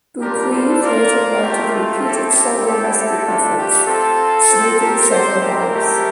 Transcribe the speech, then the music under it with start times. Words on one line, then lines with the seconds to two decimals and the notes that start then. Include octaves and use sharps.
Boukreev later mounted repeated solo rescue efforts, saving several lives.
0.20 G3 D4 F4 G4 A#4
0.51 A4 C5
0.82 A#3 F4 A#4 D5
1.43 A3 C4 F4 G4 A#4
1.73 A4
2.03 C4 E4 G4 A4
2.34 G4
2.65 C4 E4 G4 A4
2.95 A4
3.25 A3 D4 F4
3.56 G4
3.86 C4 F4 A4
4.48 C4 F4
4.78 G4 A#4
5.09 C4 G4 A4 C5
5.40 G4 A#4
5.70 A3 E4 G4